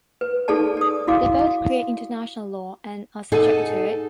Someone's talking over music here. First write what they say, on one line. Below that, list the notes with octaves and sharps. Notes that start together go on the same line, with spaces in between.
They both create international law and are subject to it.
B4
D#4 G#4 A4 D5 A5
D5 D#6
E4 F#4 F5 D6
D#4 G#4 A4 F#5